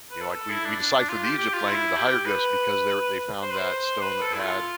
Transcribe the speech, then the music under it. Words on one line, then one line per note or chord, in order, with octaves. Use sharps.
You know, like, we we deciphered the Egypt lang the hieroglyphs because they're they found that stone that had
B4
A4
E4
D4
D4
D4
F4
G4
G4
F4
E4
G4
B4
C5
B4
C5
B4
A4
E4
F4